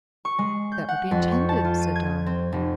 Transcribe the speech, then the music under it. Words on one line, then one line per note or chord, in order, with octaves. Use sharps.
"That would be intended," said Dolly.
C#6
G#3
G6
F#5
F2
C#6
A5
F4
D#7
G#6
C4
F1